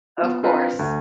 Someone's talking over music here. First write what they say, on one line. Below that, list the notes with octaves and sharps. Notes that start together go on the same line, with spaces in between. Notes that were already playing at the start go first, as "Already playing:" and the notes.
Of course.
B3 F4
C4 D4 F4 B4 F5 A#5
D2